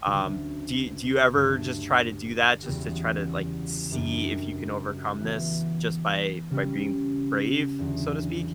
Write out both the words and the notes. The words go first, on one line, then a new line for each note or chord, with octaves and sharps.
Um, do you do you ever just try to do that just to try to, like, see if you can overcome this just by by being brave, so to speak?
D2 C#3 F#3
G2 D3 F#3 A3
E2 C#3 G3 B3 F#4
F#2 C#3 G3 D4 G4
E3 B3 F#4
C#3 G3 C#4
E2 D3 F#3